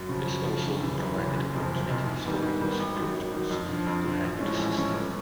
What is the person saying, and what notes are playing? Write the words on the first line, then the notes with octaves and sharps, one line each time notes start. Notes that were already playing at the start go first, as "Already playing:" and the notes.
This also provided opportunities for user programs to hang the system.
Already playing: F#2
C#3 F3
F#2
C#3 F3
F#1
E2 C#3
F#1
E2 C#3
F#1
F2 C3 F3
F#1
F2 C3 F3
G#2
D#3 G3 B3
G#2
D#3 G3 B3
G#1
F#2 D#3
G#1
F#2 D#3
F2
D3 F3
F2
D3 F3
A1
A2 F3 G#3 C#4
A1
A2 F3 G#3 C#4
G1